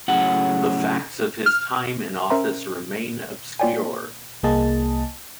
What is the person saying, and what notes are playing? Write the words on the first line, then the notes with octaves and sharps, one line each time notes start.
The facts of his time in office remain obscure.
A2 C#3 F#3 F#5
F6
C#4 A#4 C5 E5 A#5 C6
A#3 F4 C#5 D5 G5 G#5
C2 A#3 G#4 D#5 A5